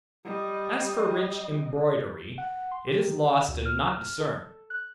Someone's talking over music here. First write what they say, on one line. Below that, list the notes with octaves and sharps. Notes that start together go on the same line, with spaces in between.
As for rich embroidery, it is lost and not discerned.
G3 D#5
F#5
C6
G4
D#3
D2
F6
A4
F#6